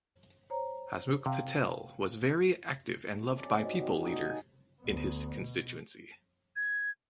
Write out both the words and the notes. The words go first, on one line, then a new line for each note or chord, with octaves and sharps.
Hasmukh Patel was very active and loved by people leader in his constituency.
C5 C#5 A#5
C3 F5 G5
C3 C#4 A4 D5
G#2 B2
G3
A3 D#4 F#5 G5
G#5
D2 B3
B2
G#6